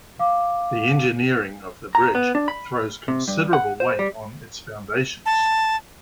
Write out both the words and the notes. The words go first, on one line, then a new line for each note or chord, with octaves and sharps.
The engineering of the bridge throws considerable weight on its foundations.
F5 D6
A#5
B3
D4
B5
C3
G2
F#5
C5
G3
A5